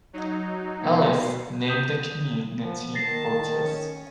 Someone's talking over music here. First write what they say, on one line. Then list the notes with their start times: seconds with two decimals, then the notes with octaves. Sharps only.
Ellis named the community Otis.
0.13 F#3 D#4
0.80 B2
1.65 D#6 G6 B6 D#7 E7
2.59 F3 B3
2.95 D#3 A5 A6 A#6 C7
3.62 C#4 C#5